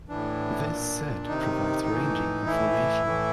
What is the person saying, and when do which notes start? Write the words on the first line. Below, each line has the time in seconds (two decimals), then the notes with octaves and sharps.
This set provides ranging information.
0.09 A2 E3 D4
0.69 A#2
1.27 C3 D#3 D#4
1.87 A2 E3
2.46 A2 E3 E4
3.06 A2 E3